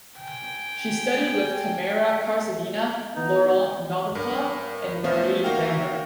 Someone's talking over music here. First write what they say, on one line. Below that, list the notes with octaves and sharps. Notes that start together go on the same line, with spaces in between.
She studied with Tamara Karsavina, Laurent Novikoff and Marie Rambert.
G5 G#5
E3 B3 D#4
G2 A#4
F3 A3 B3 C#4 C5 E5
A#3 D#4 F#4 A#4 F5 G5